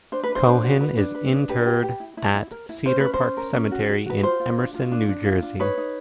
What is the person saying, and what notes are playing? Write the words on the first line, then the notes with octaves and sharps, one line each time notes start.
Cohen is interred at Cedar Park Cemetery, in Emerson, New Jersey.
D4 C5
B4
D4
C5
D4
F#4
B4
D4
B4
D4
G4 B4
G4
G4
E4
E4
E4
A#4
E4
C#4 C5
C#4 B4
C5
C#4
A#4
C#4
F#4
F#4
F#4 B4
F4 C5
F4
D4
F4
D4
D4
F4
D4
D#4 B4 C#5
D#4